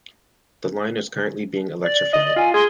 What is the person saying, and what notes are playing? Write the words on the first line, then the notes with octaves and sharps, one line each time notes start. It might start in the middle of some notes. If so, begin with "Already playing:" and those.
The line is currently being electrified.
D5
D#5
F4 G#5
G#4 C6